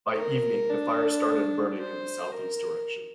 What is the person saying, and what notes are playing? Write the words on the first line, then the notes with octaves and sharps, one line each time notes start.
By evening, the fire started burning in a southeast direction.
A#4
D4
C5
A#4